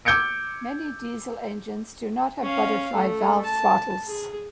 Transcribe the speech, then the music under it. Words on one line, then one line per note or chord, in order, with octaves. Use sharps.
Many diesel engines do not have butterfly valve throttles.
D6 E6 G6 G#6 C#7 D7
C#4 F5
A3
A5
G#4